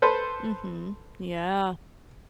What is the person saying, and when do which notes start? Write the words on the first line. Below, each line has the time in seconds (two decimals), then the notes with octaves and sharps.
Mhm. Yeah.
0.02 A4 B4 C5